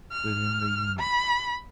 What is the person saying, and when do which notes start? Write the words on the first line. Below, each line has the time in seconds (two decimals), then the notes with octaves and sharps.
Within the unit.
0.12 F6
0.99 B5